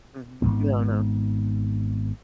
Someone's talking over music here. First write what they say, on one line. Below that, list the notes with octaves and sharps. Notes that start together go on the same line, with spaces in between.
Mhm, no no.
G#1 F2 G#2 B3